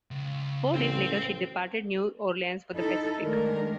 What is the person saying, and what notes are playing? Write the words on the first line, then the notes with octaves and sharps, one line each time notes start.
Four days later she departed New Orleans for the Pacific.
C#2
A1 C5 G5
D#4 E4 A4
D#3 G#3 A3 D4 A#4